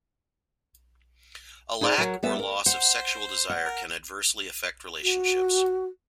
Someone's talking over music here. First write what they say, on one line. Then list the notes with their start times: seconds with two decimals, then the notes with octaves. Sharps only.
A lack or loss of sexual desire can adversely affect relationships.
1.81 D#4 G#4 C5 D5
1.98 F#3 A#4
2.23 G3 B3 E5
2.39 A#4
2.66 C5 F#5
3.50 F#5
3.66 A#4
5.02 F#4